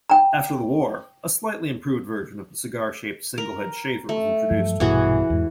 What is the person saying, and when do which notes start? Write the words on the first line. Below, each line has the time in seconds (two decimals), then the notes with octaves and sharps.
After the war, a slightly improved version of the cigar-shaped single-head shaver was introduced.
0.10 G5 A#5
3.38 A#4
4.09 A3
4.51 G2 F3 F#3
4.80 A#1 G2 B2 E3 F#4 G#4
5.30 E2 G#2